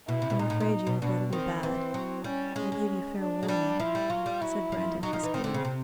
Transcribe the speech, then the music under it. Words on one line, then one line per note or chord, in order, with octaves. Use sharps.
"I am afraid you had better be bad--I give you fair warning," said Brandon huskily.
B2 E4
C3
B2
A#2 D#4
A2
A#2
B2
B2 D4
D#3 C4
E3 C4
F#3
G3 C#4
G#3 C#4
G#3
D4
G#3
G3 D4
F3 E4
G3
F#3 F4
G3
F#3 E4
F3
F#3 D#4
F3
E3
D#3 C4
D3
C#3
C3